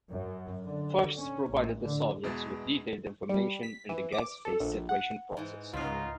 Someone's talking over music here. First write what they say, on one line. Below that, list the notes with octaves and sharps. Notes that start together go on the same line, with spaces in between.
Fuchs provided the Soviets with detailed information on the gas-phase separation process.
F#2
D3
C#4
A1
D3
E2 B2 G#3 E4 A6
G3
B6
E3
D6
A4
A#1
F#5
G#2 E3
C#2 D#4 F4 F#4 B5